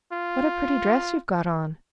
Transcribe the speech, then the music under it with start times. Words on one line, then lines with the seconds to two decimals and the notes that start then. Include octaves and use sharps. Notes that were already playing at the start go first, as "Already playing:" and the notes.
"What a pretty dress you've got on!"
0.13 F4